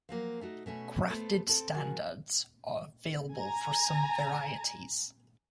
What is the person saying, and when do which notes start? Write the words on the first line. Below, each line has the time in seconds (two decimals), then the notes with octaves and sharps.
Grafted standards are available for some varieties.
0.09 F3 F#3 A#3
0.41 A3 D#4 F#4
0.66 B2 A3 C#4
1.10 A3 B3 A4 C5
1.47 C4 A4
1.74 D#3 F3 F#4 G#4
3.34 G#5 A#5